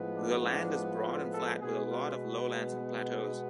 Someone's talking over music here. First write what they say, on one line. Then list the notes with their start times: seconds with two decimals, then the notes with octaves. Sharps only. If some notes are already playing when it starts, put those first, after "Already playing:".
The land is broad and flat with a lot of lowlands and plateaus.
Already playing: A2 F3 G#3 B3
0.15 D4
0.44 D4
1.03 F4
1.32 A4
1.61 B2 G#3 B3 G#4
1.90 F4